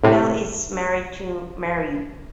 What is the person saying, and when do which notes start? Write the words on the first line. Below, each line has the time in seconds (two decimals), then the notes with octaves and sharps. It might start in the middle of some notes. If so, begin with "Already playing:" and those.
Bell is married to Mary.
0.04 A2 C3